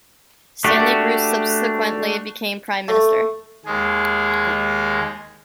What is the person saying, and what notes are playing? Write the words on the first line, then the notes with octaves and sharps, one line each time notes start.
Stanley Bruce subsequently became Prime Minister.
A3 D4 F#4 G4
A3
D#2 G#3 G#4